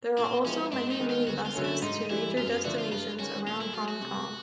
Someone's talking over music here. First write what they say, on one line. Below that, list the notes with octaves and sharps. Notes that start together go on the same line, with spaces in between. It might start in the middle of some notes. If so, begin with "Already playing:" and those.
There are also many minibuses to major destinations around Hong Kong.
A#2 C4
F3 G#3 C4 C#4 E4
G#2 D4
D#4
D#3 G#3 B3
F4
D2 F#4
F4
D3 F#3 A3 C#4
E4
G#2 D#4
E3 G3 E4
F#2 F4
F4
D3 F3 A3 D4 F#4
F4
G2 F4
D#3 G#3 C#4 F#4
A#2 F4
E4
F#3 A3 F4
F#4
C3